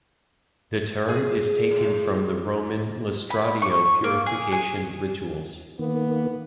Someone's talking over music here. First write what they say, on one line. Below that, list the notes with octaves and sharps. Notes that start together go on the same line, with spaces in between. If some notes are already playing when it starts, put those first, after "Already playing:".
The term is taken from the Roman lustratio purification rituals.
G#4
A2
B5
C#6
A#3
G#4
G#4
D#3 A#3 B3